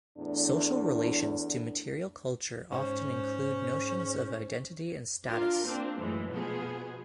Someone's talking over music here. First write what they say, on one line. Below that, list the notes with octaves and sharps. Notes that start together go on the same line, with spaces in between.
Social relations to material culture often include notions of identity and status.
E2 A2 D4
G#2 C#4 C5
D4 F4 A#4
A#3 C4 D4
F#2 A2 E3 G#3
B2 F3 B3 G#4